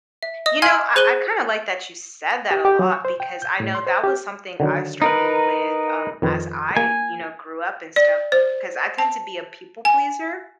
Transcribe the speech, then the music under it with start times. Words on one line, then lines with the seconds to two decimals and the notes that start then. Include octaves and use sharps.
You know, I I kinda like that you said that a lot, because I know that was something I struggled with, um, as I, you know, grew up and stuff, 'cause I tend to be a people pleaser.
0.23 E5
0.46 D#5 D#6
0.62 F5 G#5 C6 F6 G#6
0.96 G#4 C5 F#6 D#7 F#7 G7
2.51 G4
2.65 G4
2.79 F#3
2.91 C#6
3.05 C5
3.20 G5
3.42 G6
3.60 A2
3.75 C6
3.86 C5
4.04 G4
4.60 D3 D#3 F#3
5.02 D#4 A#4 B4
6.22 F2 D#3 B4
6.77 A#3 G#5
7.96 D5
8.32 C5
8.98 A5
9.85 G#5